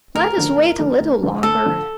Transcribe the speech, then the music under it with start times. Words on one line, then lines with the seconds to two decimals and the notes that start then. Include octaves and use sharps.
"Let us wait a little longer."
0.15 D2 A#4
0.37 D3 F3 A3 D4
0.58 D2
0.79 D3 F3 A3 D4
1.00 D2
1.23 D3 F3 A3 D4
1.43 D2 A4
1.65 D3 F3 A3 D4